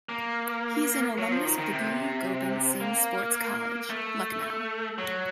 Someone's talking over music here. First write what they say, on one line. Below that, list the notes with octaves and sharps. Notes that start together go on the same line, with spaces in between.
He is an alumnus of the Guru Gobind Singh Sports College, Lucknow.
A#3
F#3
F3
D#3
D#3
C3
A#3
A3
F#3